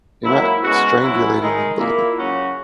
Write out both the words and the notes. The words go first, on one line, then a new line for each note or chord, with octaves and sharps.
you're not strangulating the balloon,
G#2 F#3 A#3 E4
C#3 G#3 B3 F#4
G#2 F#3 C#4 E4
D#3 G#3 D#4
A#2 A#3 E4
C#3 F#3 C#4 F#4